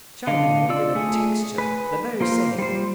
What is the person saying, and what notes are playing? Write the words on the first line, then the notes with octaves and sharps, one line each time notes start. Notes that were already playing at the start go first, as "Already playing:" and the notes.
Shining and with a texture--the very same.
D3 D#5 F5
F4 D5 E6
A3 G#4
B4 G#5
A#3 F4 C5
G3 C5